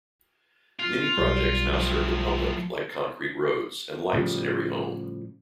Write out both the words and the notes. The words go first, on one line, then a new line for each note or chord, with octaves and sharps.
Many projects now serve the public like concrete roads and lights in every home.
F4
B1 G3
A2 F3
A2 C#3 F3 G3